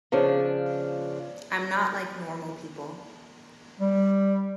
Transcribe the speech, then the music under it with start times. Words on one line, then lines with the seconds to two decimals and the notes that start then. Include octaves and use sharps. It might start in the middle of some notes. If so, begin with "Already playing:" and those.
I'm not like normal people.
0.12 C#3 F3 D4
3.80 G3